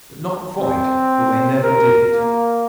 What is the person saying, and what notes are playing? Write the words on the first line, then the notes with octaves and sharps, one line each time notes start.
But not quite, for they never did it.
C4
A#4
A#3